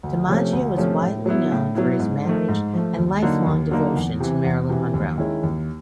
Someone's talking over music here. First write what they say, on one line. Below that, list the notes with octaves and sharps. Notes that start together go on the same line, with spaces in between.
DiMaggio is also widely known for his marriage and lifelong devotion to Marilyn Monroe.
D2
C3 F3 A3 C#4
D2
C3 F3 A3 C#4
A2
F#3 B3 E4
A2
F#3 B3 E4
G#2
F3 A3
G#2
F3 A3
D#2
D3 F#3 A#3 D#4
D#2
D3 F#3 A#3 D#4
E2
C3 E3
E2
C3 E3
D#2
D#3 G#3 C#4 E4
D#2